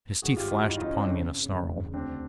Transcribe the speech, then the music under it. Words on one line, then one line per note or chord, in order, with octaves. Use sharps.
His teeth flashed upon me in a snarl.
G2 F#4 G#4
G#1 F4 G4
G2 E4 F#4
G#1 D#4 F4
D#4 F4
E3
C#4
G2 C4 D4
C#3
C#3
C#3
E2
E1
C#3
D2 C4 D4